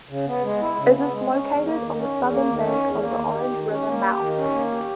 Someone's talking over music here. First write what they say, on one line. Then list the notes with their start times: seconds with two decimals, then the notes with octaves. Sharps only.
It is located on the southern bank of the Orange River mouth.
0.09 C#3
0.26 B3
0.44 G#3
0.60 E4
0.78 C#3
0.96 B3
1.12 G#3
1.30 C#4
1.46 E2
1.64 A#3
1.81 D#3
1.97 C#4
2.15 E2
2.32 A#3
2.49 D#3
2.66 C#4
2.83 E2
3.00 A#3
3.17 D#3
3.34 G4
3.51 D#3
3.69 C#4
3.86 A#3
4.03 G4
4.21 D#3
4.37 C#4
4.54 A#3
4.72 G4